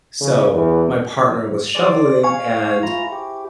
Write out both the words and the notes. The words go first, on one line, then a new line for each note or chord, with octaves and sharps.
So my partner was shoveling, and
C#3
E2
G#4 C5 D5 F#5
F5 G#5 C#6
E4 F4 A#5
G4